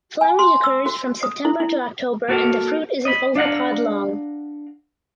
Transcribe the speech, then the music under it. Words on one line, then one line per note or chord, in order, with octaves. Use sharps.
Flowering occurs from September to October and the fruit is an oval pod long.
G#5
C6
E6
F#4
D#6
E4
E4
A#3 F#4 A4 A#4
D#5 B5
D4 F5 F#5 A#5